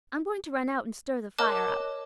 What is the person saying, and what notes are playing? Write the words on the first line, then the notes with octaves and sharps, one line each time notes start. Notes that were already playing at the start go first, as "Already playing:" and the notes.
I'm going to run out and stir the fire up.
A#4 C#5 D#5 A5 D6 F#6